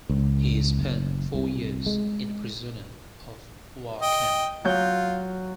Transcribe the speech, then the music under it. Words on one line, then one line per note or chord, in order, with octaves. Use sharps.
He spent four years in a prisoner of war camp.
C#2
F#1
C2
G#3
D#5 G5
F#3 F4 G6